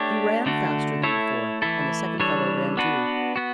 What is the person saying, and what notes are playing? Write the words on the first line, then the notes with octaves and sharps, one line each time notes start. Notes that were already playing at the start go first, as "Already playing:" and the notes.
He ran faster than before, and the second fellow ran too.
Already playing: A3 D4 G4 C#5
D3 A3 D4 F#4
A3 E4 A4 C#5
E3 A3 E4 A4
E3 G3 D4 A4 C#5
B3 D4 F#4 B4
B3 F#4